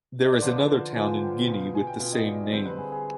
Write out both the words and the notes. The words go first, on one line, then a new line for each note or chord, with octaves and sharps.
There is another town in Guinea with the same name.
D#5
D5
D3 F3 B3 F4 C5
D5
D3 F3 B3 F4 G#5
G5
B2 B3 F4
G#5
G5
B2 B3 F4 F5
D#5
D5
D#5
D3 G3 C4 C5
B4
G#4
G#4